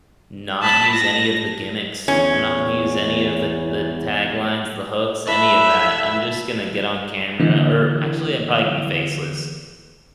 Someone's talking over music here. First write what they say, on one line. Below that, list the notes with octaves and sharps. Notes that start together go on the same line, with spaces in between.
not use any of the gimmicks. I'm not gonna use any of the the taglines, the hooks, any of that, I'm just gonna get on camera or actually, I'm probably gonna be faceless,
A5 B5
A#6
E2 C#4
E4 A4 B4 E5
D3 E3 A#3 E4